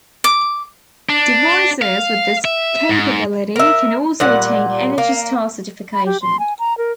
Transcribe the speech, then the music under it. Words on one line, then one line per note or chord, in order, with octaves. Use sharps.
Devices with this capability can also attain Energy Star certification.
D6
D4
F5
E5
G#2
A#4 E5
A#2 G3 F#5
A#3
B5
G4
C6
G#5
A#5
A#4